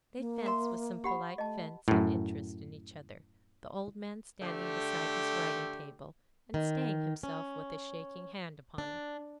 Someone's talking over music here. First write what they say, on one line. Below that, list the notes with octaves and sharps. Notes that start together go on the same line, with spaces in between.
They fenced with some polite feints of interest in each other, the old man standing beside his writing-table, and staying himself with a shaking hand upon it.
A#3
E5 C6
G4 F#5 B5
A3 D#5 A5
F#2 A2
D3 A3 G4
D#3
C#4
D4